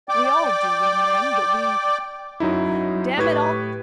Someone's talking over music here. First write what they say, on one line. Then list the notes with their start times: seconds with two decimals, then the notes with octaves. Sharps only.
We all do, we men, but we--damn it all!
0.09 D5 G5 D6
2.40 F#2 F#3 D#4 E4
3.17 A2 G4 B4 C#6 G#6